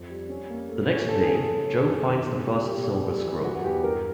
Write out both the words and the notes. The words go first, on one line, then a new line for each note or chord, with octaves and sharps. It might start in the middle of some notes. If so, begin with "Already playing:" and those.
The next day, Joe finds the first silver scroll.
Already playing: F2
G3
C#4
A#3
A3
C#4
C#3 A4
G#4
C#3
A4
C#4
C#4
A4
F#2 G#4
D#3
B2
G3
B2 G4
G#3
G3
E3
F#3 F#4
E2 G4
G2 A#4